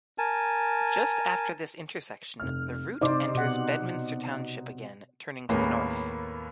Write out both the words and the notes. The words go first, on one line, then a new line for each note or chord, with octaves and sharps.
Just after this intersection, the route enters Bedminster Township again, turning to the north.
A#4 G#5 A5
F1 F6
C3 D#4 C5 D5 D6
B2 F#5
D#2 A2 G#3 A#3 B3 C#4